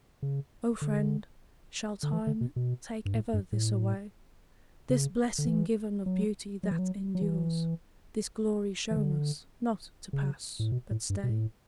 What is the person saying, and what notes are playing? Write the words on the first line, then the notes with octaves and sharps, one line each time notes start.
O friend, shall time take ever this away, This blessing given of beauty that endures, This glory shown us, not to pass but stay?
C#3
D3
D3
E3
D3
B2
B2
G2
A2
G2
A2
C#3
D3
E3
F#3
F#3
E3
F#3
F#3
E3
E3
D3
C#3
A2
B2
A2
G2
B2
A2